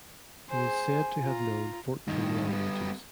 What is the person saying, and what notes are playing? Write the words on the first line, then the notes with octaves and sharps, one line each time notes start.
He is said to have known fourteen languages.
G#4 C5 G#5
F4 A#5
G2 D#3
G3 B3